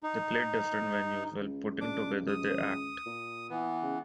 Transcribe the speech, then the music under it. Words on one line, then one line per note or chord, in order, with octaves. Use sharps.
They played different venues while putting together their act.
D#4
C#2
D4 D6
D#6
A#2
E3 B3
C#3